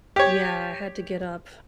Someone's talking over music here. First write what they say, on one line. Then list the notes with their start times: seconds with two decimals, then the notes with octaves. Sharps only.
Yeah, I had to get up
0.16 G4 C#5